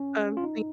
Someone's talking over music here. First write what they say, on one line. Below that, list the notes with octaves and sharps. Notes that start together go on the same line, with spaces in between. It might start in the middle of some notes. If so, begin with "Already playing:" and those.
Um, thi
Already playing: C#4
F4
D#4